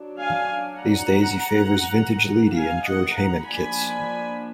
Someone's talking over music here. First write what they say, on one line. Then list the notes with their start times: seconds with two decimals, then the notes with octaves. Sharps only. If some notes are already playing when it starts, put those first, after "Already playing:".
These days he favours vintage Leedy and George Hayman kits.
Already playing: F#3 D4
0.18 F5 G#5
0.78 F#5 A#5
2.55 F5 G#5
2.85 D#5 F#5
3.15 F#5 A#5
3.44 F3 A#3 D4 G#5 B5